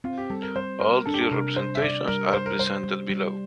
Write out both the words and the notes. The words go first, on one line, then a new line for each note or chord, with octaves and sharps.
All three representations are presented below.
C4 F4
G4
G3 A4
A#4
G3 C5
G3 A#4
D4 A4
G4
A4
C3 A#4
G3 C5
E5
C3 D5
G3 A#4
G3 C5
A#4
G3 C5
G3
G3